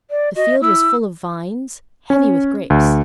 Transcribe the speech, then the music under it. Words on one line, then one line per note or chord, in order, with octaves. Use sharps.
The field was full of vines heavy with grapes.
D5
F#4 D#5
E5
E4 E6
C#4
D2